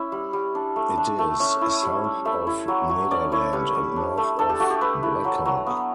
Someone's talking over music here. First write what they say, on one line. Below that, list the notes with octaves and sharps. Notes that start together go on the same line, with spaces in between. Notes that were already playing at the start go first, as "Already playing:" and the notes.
It is south of Nederland and north of Black Hawk.
Already playing: C#4 E4 E5
G3
G3
D4
A3
D4
A3
C#4 E5
E4
G3
G3
A3 E5
E4
F#3
F#3
C#4 D5
E4 C#5
G3 B4
G3
D4
A3
D4 A4
G4
A3 F#4
G4
A3 B4
E4
F#3
F#3
B3